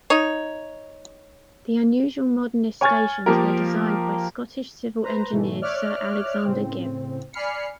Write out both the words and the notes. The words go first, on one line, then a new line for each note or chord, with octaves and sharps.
The unusual modernist stations were designed by Scottish civil engineer, Sir Alexander Gibb.
D#4 C#5
C#5 G#5 C#6 F6 A6
F3 A#3 G4 A#4
B4 C5 A#5
G#2 B2 E3 A3
C#5 D5 E5 D6 F6 F#6
A2 C#3 C4
D5 G#5 B5 F6 C7 C#7